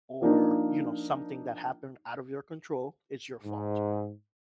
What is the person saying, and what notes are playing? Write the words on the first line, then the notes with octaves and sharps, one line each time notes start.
or, you know, something that happened out of your control, is your fault.
F3 A#3 D4 D#4
G#2